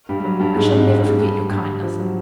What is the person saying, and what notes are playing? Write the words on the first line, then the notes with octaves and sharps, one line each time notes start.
I shall never forget your kindness.
G2 G3
G3
F#3
G2 G3
G#2 G#3
G#2 G#3
G2 G3
G#2 G#3
G2 G3
G2 G3
F3
F#3